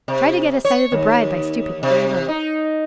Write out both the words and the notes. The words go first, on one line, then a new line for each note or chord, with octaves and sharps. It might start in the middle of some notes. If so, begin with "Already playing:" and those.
"Try to get a sight of the bride by stooping very low."
C3
C#5
D#2
C3
D#4